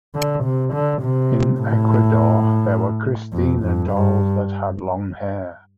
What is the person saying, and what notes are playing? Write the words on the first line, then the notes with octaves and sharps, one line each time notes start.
In Ecuador, there were Christina Dolls that had long hair.
D3
C3
D3
C3
A2
F2
F2
G2